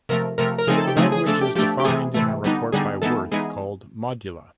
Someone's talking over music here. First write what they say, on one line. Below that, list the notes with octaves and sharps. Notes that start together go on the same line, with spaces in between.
The language is defined in a report by Wirth called Modula.
C3 F3 A3 A#4
C3 F3 A3 A#4
A#4
C#3 F3 A3 C4 D#4 G#4
A4
G4
C#3 F3 A3 C4 D#4 G#4
G#4
F3 A3 D4 A4
G4
F3 A3 D4 G4
G4
C3 E3 A3 G#4
C3 E3 A3
D3 G3 B3 D#4
D3 G3 B3 D#4 G#4
E3 G#3 B3 D#4 A4
E3 G#3 B3 D#4 G#4